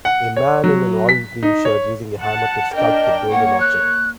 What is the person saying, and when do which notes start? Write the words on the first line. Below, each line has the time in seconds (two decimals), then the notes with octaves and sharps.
A man in an olive green shirt using a hammer to sculpt a golden object.
0.05 F#5
0.36 C#5
0.64 F#3
1.09 B6
1.43 D#4
1.65 C#5
2.21 F#5 A5
2.75 D4 A#4 D#5 G5
3.32 A#3 C#5 F#5
3.60 F#6